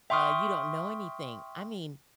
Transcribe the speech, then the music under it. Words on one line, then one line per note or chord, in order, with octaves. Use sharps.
uh, you don't know anything. I mean,
E5 G5 C6 C#6 D#6 F6